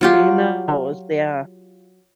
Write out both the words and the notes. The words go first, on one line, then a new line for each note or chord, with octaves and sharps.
she knows, yeah.
F#3 F4 G4